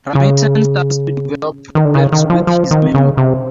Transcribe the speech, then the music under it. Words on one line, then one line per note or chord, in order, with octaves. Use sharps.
Ramesan starts to develop problems with his memory.
C#3
D#3
D3
C#3
D#3
F3
F3
D#3
C#3
C3